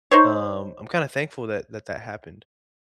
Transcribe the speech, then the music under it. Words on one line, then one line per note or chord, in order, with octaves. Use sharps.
um, I'm kinda thankful that that, that happened
D#4 C5 C#5